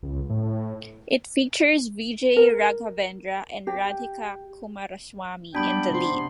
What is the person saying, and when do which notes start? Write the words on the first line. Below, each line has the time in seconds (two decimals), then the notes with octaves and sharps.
It features Vijay Raghavendra and Radhika Kumaraswamy in the lead.
0.03 C#2
0.30 A2
2.37 A#4
3.67 G4
5.55 G3 B3 D4 G5 B5
5.94 C3 C6